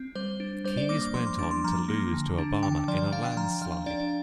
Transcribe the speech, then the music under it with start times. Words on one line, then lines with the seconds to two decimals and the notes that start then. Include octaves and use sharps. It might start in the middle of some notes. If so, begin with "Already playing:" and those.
Keyes went on to lose to Obama in a landslide.
Already playing: C4
0.15 G3 C5
0.40 D4
0.64 G3 C5
0.77 D5
0.89 A#3 D6
1.02 D6
1.14 F3 C6
1.27 C6
1.39 D4 D6
1.51 C6
1.64 F3 A#5
1.88 A#3
2.13 D3
2.38 D4
2.63 D3 G5
2.88 F3 D5
3.12 D4 F5
3.26 G5
3.37 F3 A#5
3.61 F3 F5
3.86 D4 D5